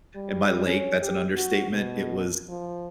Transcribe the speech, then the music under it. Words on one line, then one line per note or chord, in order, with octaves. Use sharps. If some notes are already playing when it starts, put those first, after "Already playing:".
And by lake, that's an understatement. It was
G3
C#4
G4
F#4
B2
F3